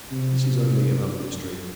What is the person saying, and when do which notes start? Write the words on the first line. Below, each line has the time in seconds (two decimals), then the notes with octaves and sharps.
This is only another mystery.
0.12 C3